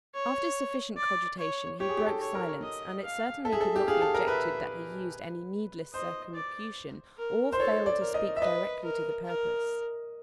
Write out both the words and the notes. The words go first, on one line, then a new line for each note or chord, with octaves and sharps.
After sufficient cogitation he broke silence, and it certainly could not be objected that he used any needless circumlocution, or failed to speak directly to the purpose.
C#5
D5
C#5
G4 C#5
G#4
G4
A4
C#5
A#4
D#5
F5
A4 E5
G#4
A4
G4
G#4 F5
A4
A#4
B4 E5
C5 D#5
D5
A#4
C5
A4 C#5
D5
A#4
D#5
E5
B4 D#5
A#4
A#4